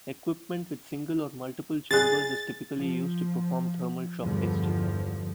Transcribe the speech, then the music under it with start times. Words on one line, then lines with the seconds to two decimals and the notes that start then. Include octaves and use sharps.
Equipment with single or multiple chambers is typically used to perform thermal shock testing.
1.91 G#4 F#6 A6
2.77 F3
4.22 E2 G2 D3 F3